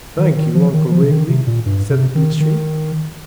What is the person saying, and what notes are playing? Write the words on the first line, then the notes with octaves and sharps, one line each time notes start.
"Thank you, Uncle Wiggily," said the beech tree.
D#3
D#3
F3
D#3
F3
C3
D#3
C3
A#2
G2
C3
D#3
D#3